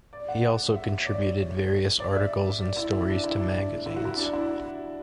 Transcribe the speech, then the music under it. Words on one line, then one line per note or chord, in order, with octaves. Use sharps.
He also contributed various articles and stories to magazines.
D5
F#5
E5
C#5
D5
C#5
D5
E5
D5
E4
E4
D4
E4
D4
E4
F#4
E4
D4
E4